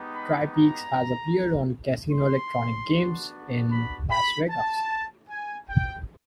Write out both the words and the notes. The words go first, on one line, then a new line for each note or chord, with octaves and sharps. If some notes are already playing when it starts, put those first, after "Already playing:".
TriPeaks has appeared on casino electronic games in Las Vegas.
Already playing: G#3 B3 D#4 G4
B5
A#5
C6
B3 D4 F#4
B5
B5
A5
G#5
G5